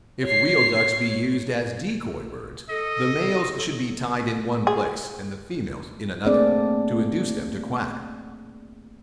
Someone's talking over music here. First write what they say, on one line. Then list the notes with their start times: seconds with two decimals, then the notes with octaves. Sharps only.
If real ducks be used as decoy-birds, the males should be tied in one place and the females in another, to induce them to quack.
0.23 C#5 C7
2.69 A4 D#5
4.67 G#4
6.25 A3 A#3 C4 D4 G#4 D5